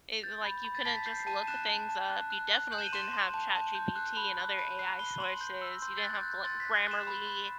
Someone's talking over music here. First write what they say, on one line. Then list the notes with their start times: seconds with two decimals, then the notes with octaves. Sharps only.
It like, you couldn't just look things up, you definitely didn't have ChatGPT and other AI sources, you didn't have gl Grammarly
0.23 G6 A6
0.44 B5
0.65 B5
0.75 A6
0.85 A5 B6
1.06 G6 C7
1.19 C7
1.27 A5 D#7
1.47 F#6 E7
1.69 A5
1.89 A5
2.10 F#6
2.30 F#6
2.51 F#6
2.72 G6 F#7
2.78 E7
2.86 D#7
2.93 C6 E7
3.13 C6
3.34 A5
3.55 A5
3.75 G6
3.96 F#6
4.17 B5
4.38 F#6
4.58 B5 D#7
4.79 F#6 C7
4.99 B5 G7
5.20 C6 F#7
5.41 G6
5.62 E6
5.82 C6 G6
5.98 A6
6.03 F#6
6.14 G6
6.23 F#6
6.29 G6
6.44 C6 A6
6.60 B6
6.65 F#6
6.75 C7
6.86 F#6 E7
7.07 B5
7.27 B5